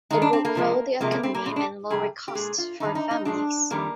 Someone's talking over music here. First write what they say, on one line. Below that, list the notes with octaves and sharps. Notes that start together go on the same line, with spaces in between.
It will grow the economy and lower costs for families.
G2 D#3 G#3 D#4
D4
C4
A#3
C3 F3 G#3
C3 F3 G#3 A#3
A#3
C4
A#3
A#2 G#3 C4
D4
F2 C3 G3 G#4
G4
A#2 G#3 G#4
F4
G2 D#3 G3 D#4
D#4
D#4
A#2 F3 G#3 D4
F2 D#3 G3 A#3